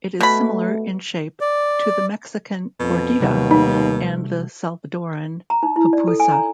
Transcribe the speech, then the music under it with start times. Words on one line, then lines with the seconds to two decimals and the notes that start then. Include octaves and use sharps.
It is similar in shape to the Mexican "gordita" and the Salvadoran "pupusa".
0.20 B2 A3 B5
1.41 D5
2.80 F2 B2
3.20 D#2 C3 G3 F#4
3.51 A3 D#4
5.50 A#5
5.63 D#4
5.76 E4
5.93 D5
6.08 A4
6.20 G#5
6.32 A#5